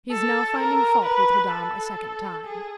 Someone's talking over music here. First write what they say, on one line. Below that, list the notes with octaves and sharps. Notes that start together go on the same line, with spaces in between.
"He is now finding fault with Madame a second time."
A4
A#4
B4
A4
G#4